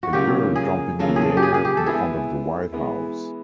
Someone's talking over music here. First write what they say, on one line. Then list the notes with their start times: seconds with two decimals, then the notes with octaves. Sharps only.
A girl jumping in the air in front of the White House.
0.03 F#4
0.12 C#3 F#3 A#3 C#4 F4 G4
0.56 G#4
0.99 C#3 F#3 A#3 C#4 F4 A4
1.16 G#4
1.22 A4
1.37 G4
1.43 G#4
1.54 G#4
1.65 G4
1.77 A4
1.86 E3 G#3 B3 E4 G#4
2.73 E3 G#3 B3 E4